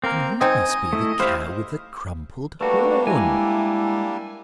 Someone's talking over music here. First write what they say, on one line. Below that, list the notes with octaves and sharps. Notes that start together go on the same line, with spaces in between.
"Then you must be the Cow with a crumpled horn!"
A#3 C4 A#4
C4 D#4 D#5 G#5
A3 E4
E4 G4 C5 E5 F5
G3 A3 A#3 D4 F#4 B4
G#3 E4 G#5 A#5